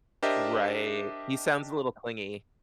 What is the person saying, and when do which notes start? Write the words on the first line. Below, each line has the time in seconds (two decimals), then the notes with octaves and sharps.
Right. He sounds a little clingy.
0.22 D4 G4 A#4 C5 D#5 E5